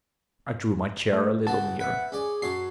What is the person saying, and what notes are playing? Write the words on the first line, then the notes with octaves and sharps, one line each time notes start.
I drew my chair a little nearer.
A3
C#3 E3 F#4 A5
B4 E5 F#5
C#4 G#4 D5
F#2 C#5 A5 C7